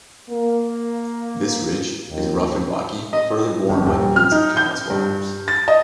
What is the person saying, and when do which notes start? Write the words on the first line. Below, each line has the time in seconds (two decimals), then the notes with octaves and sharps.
This ridge is rough and rocky, further worn by the boots of countless walkers.
0.29 A#3
2.10 D#2
3.13 D#5
3.69 G1
3.86 D#1
4.16 F6
4.32 D#4
4.57 G6
4.90 G2
5.48 A6
5.68 D#5